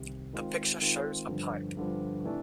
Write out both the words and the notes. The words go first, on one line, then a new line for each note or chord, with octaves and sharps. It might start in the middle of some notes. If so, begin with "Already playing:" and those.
The picture shows a pipe.
Already playing: C2 C3 D#3
D#3 G#3 C4 F4
D#3 G#3 C4 F4
G2 D3 F3
G2 D3 F3
C3 E3 A3 D4